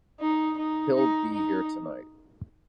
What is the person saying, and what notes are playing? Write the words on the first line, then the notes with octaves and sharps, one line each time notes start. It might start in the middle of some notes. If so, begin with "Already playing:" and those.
He'll be here tonight.
D#4
D#4
D#4
D#4